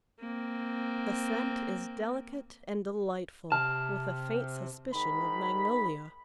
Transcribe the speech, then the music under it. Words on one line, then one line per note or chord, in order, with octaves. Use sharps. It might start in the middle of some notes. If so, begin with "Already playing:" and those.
The scent is delicate and delightful, with a faint suspicion of Magnolia.
A#3 C4
C3 A5 F6
G#2 D#3 B5